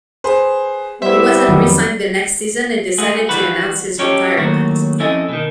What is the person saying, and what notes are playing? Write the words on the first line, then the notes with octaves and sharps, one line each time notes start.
He wasn't re-signed the next season and decided to announce his retirement.
G#4 B4 C5
G3 B3 E4 C5 E5
F2 D#3 F#3
G#3 A3 D4 F#4 G#4
E3 G3 F#4 B4
C#4 D#4 G4 A4 C#5
D#2 A2 D#3 F#3 F#4
F2 C#4 E4 A4 D#5 G#5
B2 D#3